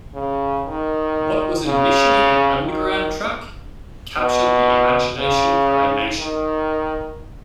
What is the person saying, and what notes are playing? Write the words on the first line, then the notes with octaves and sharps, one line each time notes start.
What was initially an underground track captured the imagination of a nation!
C#3
D#3
C#3
D#3
B2
C#3
D#3